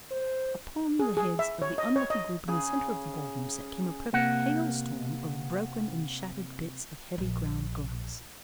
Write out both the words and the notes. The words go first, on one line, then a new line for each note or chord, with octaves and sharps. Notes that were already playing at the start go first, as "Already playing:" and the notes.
Upon the heads of the unlucky group in the center of the ballroom set came a perfect hailstorm of broken and shattered bits of heavy ground glass.
C5
G#4
G#4
E5
C#5
D#5
C#5
D#5
C#3 G#4
C3 A#3 F#5
A#1